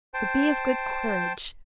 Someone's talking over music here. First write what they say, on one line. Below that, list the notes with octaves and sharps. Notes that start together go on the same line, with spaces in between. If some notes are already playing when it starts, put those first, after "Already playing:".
But be of good courage.
C5 G5 A5